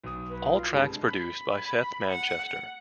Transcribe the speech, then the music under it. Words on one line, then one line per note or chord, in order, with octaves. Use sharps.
All tracks produced by Seth Manchester.
B1 D#6
B4
F4
G2 C3 G#3 A5
B5
F#5